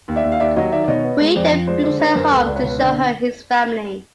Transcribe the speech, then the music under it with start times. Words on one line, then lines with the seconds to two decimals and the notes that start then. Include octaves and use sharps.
Hui then brings her home to show her his family.
0.08 D#2
0.16 D5 E5
0.24 D#2
0.32 F5
0.40 D#2 D5 E5
0.56 F#3 C#5 D#5
0.72 D#3 D5 E5
0.84 D5
0.88 B2 C#5 D#5
1.04 B3
1.20 G#3
1.35 F2 C5 D5
1.52 F3
1.67 G#3 C5 D5
1.83 D3 C5 D5
1.99 D3 B4 C#5
2.15 F#2 A#4 C5
2.31 C#2 A4 B4
2.46 C#2 D5
2.55 B4 C#5
2.63 B2
2.79 D3 C5 D5